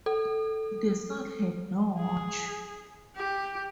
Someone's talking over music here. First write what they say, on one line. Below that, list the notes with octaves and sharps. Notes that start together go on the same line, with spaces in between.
The son had no watch.
A4
G#4
G4